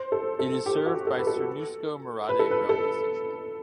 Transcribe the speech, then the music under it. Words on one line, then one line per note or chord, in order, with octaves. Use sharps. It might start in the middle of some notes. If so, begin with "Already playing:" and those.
It is served by Cernusco-Merate railway station.
Already playing: C5
A4
A4
G4
F#4
A4
B4
A4
B4
A4
B4
A4